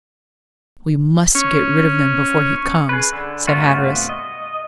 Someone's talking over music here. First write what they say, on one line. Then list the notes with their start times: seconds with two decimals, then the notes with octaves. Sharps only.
"We must get rid of them before he comes," said Hatteras.
1.35 C#4
2.89 G#4 B4
3.13 D3
3.47 G2 C3 A3 B3 F4 F#4
4.09 D#5